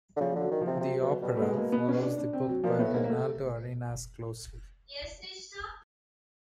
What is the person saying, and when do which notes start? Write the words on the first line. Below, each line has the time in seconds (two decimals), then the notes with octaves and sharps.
The opera follows the book by Reinaldo Arenas closely.
0.16 D3
0.20 C#3 F3
0.32 D3 F3
0.41 F#3
0.51 D#3
0.61 F3
0.67 C3
0.77 F3
0.81 C3 F#3
1.02 B2 F#3
1.22 B2 G3
1.37 A3
1.42 G#3
1.58 A#3
1.72 B3
1.88 C#4
2.03 D4
2.18 D4
2.33 C4
2.49 F#3
2.64 A#2 F3
2.79 A2 B3
2.94 G#2 A#3
3.04 A#3
3.10 A3